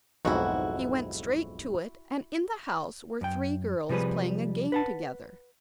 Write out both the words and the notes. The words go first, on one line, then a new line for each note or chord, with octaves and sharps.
He went straight to it and in the house were three girls playing a game together.
B1 F2 G#2 E4 F#4
F#2 G5
C3 F3 G3 G#4 B4
B4 F#5 A5